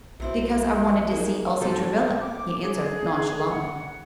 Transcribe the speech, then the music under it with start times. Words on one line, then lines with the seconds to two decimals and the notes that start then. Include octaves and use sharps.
"Because I wanted to see Elsie Travilla," he answered nonchalantly.
0.20 B1 F#3 C4 E4 E5
1.11 A#3 D#4 G#4
1.61 E2 G#2 F3 C4 F#4 A4
2.20 D6
2.62 G#4
3.50 F#5